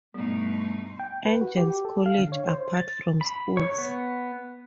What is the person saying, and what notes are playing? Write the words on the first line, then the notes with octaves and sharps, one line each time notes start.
Agnel's college, apart from schools.
G2 B2 G3 A3 B3 D#4
G5
B4
F#4
G4
A4
F5
D3
C#5
C5
A6
B5
C#5
B3